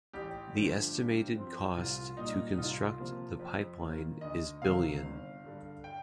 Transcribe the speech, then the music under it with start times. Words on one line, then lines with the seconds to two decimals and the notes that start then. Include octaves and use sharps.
The estimated cost to construct the pipeline is billion.
0.13 A1 G4
0.54 G2 D3 F3 A3
0.95 G2
1.36 F3 C4
1.76 C2 F4
2.17 A#2 G3 A#3 D#4
2.54 D#4
2.58 C2 F4
2.99 C3 F3 A#3
3.39 F2
3.81 D#3 A#3
4.21 D2 D#5
4.62 C3 D#3 F5
5.02 G1
5.44 G2 D3
5.84 G5